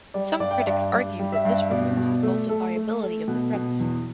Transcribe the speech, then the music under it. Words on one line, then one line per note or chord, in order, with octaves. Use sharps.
Some critics argue that this removes the falsifiability of the premise.
G3 D5
G2 D5
G5
E5
G2 D5
G2 D5
G3
E5
G2
B2 D5
B2
A3
A3 A4
A3
A3
B2
B2
E2